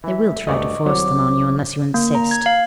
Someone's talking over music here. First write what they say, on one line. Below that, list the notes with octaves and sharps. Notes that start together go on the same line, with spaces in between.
They will try to force them on you unless you insist.
E3 E5
D2 G2 A3 D#5 C#6 D6
C2 F#3 C5 C#5 D6
A#3
A#5
G#6
F5